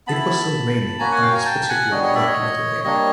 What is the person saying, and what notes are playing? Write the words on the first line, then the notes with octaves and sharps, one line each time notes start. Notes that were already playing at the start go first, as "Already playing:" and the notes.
It was still raining on this particular red-letter day.
B3 E4 A5 B5
A#3 C#4 F#4 G#5 A#5
F#5 G#5
F5 G5
G#5 A#5
G5 A5
F#5 G#5
G3 B3 D4 C#5 D#5
C#5 D#5
D5 E5
C#5 D#5
G3 A#3 D4 C#5 D#5